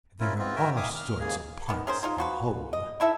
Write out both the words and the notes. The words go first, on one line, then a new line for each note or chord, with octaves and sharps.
"There are all sorts of parts in a whole."
C#4 E4 F4 A#4
G#2 B3 C4 F4
F#4 A#4 E5 G5 G#5
E5 F5 G#5 D6 D#6
F6
D#2 G#2 C#3 A#3 G#4
D#3 B3
C#4 G#4 A#4 C5
G#3 D#4 F4
F3 F#4 B4
D#5
D#4 E4 A4 E5